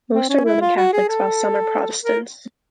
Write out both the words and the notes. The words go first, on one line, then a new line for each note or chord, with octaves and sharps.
Most are Roman Catholics, while some are Protestants.
C4
C#4
E4
F4
F#4
G#4
A4
A#4